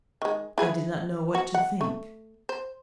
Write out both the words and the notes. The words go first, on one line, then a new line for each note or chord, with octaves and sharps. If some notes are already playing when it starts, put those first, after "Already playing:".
I did not know what to think.
D#3 G#3
E4 G#4 B4
F#4
F#5
A3
C5